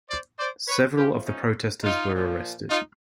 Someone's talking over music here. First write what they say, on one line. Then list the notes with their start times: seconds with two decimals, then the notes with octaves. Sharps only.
Several of the protesters were arrested.
0.10 C5 D5
0.39 C5 D5
0.68 B4 C#5
0.97 A2 F3 F4 G4
1.25 C#4 D#4
1.83 D#4 F4
2.12 A#2 F3
2.70 D#4 F4